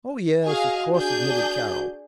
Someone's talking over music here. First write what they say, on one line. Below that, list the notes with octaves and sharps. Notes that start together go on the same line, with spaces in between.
"Oh, yes, of course!" admitted Carroll.
F#4 G#4 D#5 F5
D4 G#4 G6